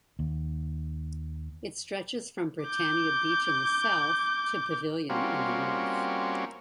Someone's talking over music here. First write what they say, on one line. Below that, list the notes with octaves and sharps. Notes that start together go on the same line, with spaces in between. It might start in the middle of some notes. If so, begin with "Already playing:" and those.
It stretches from Britannia Beach in the south to Pavilion in the north.
D#2
D6 G6
G3 A#3 C4 C#4 F4 F#4